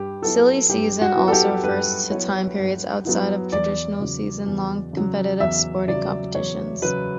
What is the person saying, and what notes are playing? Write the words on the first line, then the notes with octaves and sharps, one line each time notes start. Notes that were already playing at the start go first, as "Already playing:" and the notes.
Silly Season also refers to time periods outside of traditional season-long competitive sporting competitions.
Already playing: G2 G4
F#3 B3 E4 A4
G2 G4
F#4
F#3 B3 E4
A4
G4
G2 B4
F#3 B3 E4 C#5
G2
F#3 B3 E4
E2 D5
C#3 F#3
E2
C#3 F#3
E2 E5
C#3 F#3 D5
E2 C#5
C#3 F#3 B4